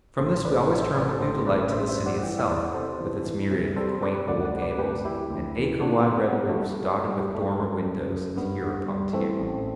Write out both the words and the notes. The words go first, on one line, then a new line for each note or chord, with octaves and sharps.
From this we always turned with new delight to the city itself, with its myriad of quaint old gables and acre-wide red roofs dotted with dormer windows, tier upon tier.
A1 A4 C5
A1 B4 D5
F#3 C5 E5
C5 E5
A1 B4 D5
A4 C5
A1 A4 C5
A1 B4 D5
G2 C5 E5
C5 E5
G2
D5 F#5
E3 G5
E5 G5
E2 D5 F#5
C3 A4 C5
E3
E3
C3
G3 A4 C5
G3 B4 D5
D2 D5 F#5
D5 F#5
C3
B4 D5
D2 G4 B4
E3 E4 G4
D2
E3
C3 D4 F#4
B3
C3
B3
G3 B3
A3
G3
G3
G3
G3 A3
F#2
F#2
F#2
G2 B3
G2
G3
E3 A3 C4
A1